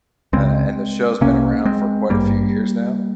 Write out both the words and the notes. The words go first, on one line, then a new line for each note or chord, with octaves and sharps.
Uh, and the show's been around for quite a few years now.
C#2 C#3 G#3 C4
C2 C3 A#3 C#4
G#3 C4
G#1 G2 G3 A#3